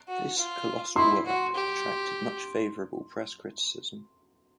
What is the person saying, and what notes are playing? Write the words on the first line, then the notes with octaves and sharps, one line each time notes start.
This "colossal work" attracted much favourable press criticism.
F#4
F4
E4 C6
F#4
G4